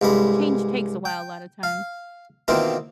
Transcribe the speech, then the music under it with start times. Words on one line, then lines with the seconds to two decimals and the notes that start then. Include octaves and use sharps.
change takes a while, a lot of times.
0.02 C2 G2 G#3 B5
1.05 G5
1.63 F5
2.48 B2 D#3 E3 A#3 C4 F4